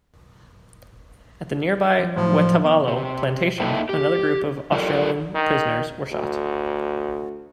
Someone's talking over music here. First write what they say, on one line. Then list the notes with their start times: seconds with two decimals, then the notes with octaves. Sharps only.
At the nearby Waitavalo Plantation, another group of Australian prisoners were shot.
2.00 F3
2.16 A2 F3 F#3
2.65 B3 D6
2.88 C3
3.60 A#3 D#4 E4 A4 E5 G5
3.89 G4
4.72 F#3 F4 G4 A4 A#4 D5
5.35 D#3
6.11 D2